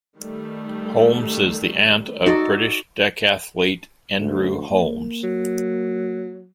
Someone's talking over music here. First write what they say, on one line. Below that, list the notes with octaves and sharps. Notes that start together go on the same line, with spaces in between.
Holmes is the aunt of British decathlete, Andrew Holmes.
D#3 G3 A3
D#4 F#4 A4 D5
D2
A#3
F#3